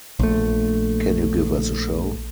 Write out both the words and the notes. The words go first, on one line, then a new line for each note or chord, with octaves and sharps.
Can you give us a show?
A#1 A3